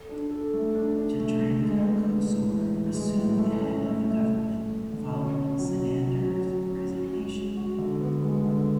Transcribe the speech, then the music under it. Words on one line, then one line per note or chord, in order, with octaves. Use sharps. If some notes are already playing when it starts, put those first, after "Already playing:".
Jadranka Kosor assumed the head of the government following Sanader's resignation.
Already playing: A4
D4
A4
A3
D4
D4
A3
A3
G#3
B3
G#3
A2
E3
E3
G#3
A2
A3
C#4
A3
A3
A3
A3
A3
D3
C#4
C#4
F#3
C#4
F#3
F#3
F#3
C#4
F#4
F#4
G#3
F#4
D3
B3
G#3
D3